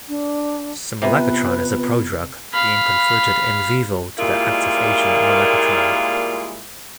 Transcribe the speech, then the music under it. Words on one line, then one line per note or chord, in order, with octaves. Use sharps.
Ximelagatran is a prodrug, being converted "in vivo" to the active agent melagatran.
D4
C3 B3 F4 B4
F5 B5
A#2 G3 G#3 A#3 E4 F4